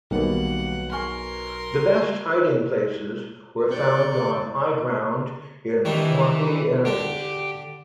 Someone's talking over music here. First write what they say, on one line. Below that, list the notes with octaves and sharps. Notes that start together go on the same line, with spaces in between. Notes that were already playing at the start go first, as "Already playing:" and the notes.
The best hiding places were found on high ground in swampy areas.
B1 B2 D#3 G3 A#3 F#5
A#4 G#5 C6 C#6 F6
C4 D5 C#6 F#6 G6
D#3 E3 G3 D4
D3 D4 G4